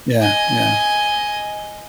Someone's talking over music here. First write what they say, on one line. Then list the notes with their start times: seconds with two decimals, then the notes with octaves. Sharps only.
Yeah, yeah.
0.21 D#5 G#5